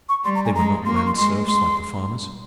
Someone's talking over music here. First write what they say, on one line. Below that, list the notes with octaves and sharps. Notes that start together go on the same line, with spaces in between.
They were not land serfs like the farmers.
C#6
G3 C6
A#5
G#5
G#3 A#5
A#3 C6
C#6
C6
G#3 C6
G#3 C6